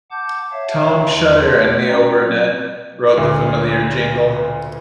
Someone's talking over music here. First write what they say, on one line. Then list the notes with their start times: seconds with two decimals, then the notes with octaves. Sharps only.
Tom Shutter and Leo Burnett wrote the familiar jingle.
0.11 F#5 A5 D6 G6
0.52 C#5 E5 F5 A5
1.12 E2 A5 C6
1.51 A3 F#5
1.88 C#4 F#4 B4 D5 G5 A#5
2.21 F#3 C4
3.17 D2 A#2